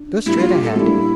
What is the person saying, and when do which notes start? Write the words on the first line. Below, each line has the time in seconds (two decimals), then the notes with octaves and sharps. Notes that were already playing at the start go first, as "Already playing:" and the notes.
Go straight ahead.
Already playing: D4
0.26 A2 G3 A#3 D4 E4
0.38 F4
0.51 G4
0.63 A4
0.76 A2 G3 A#3 D4 E4 F4